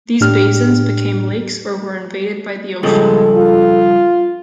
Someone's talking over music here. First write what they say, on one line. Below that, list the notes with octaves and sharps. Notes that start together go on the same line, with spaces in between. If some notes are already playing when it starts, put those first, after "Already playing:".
These basins became lakes or were invaded by the ocean.
A2 D4 G4 F6
G2 C#3 F3 G#3 A4
F4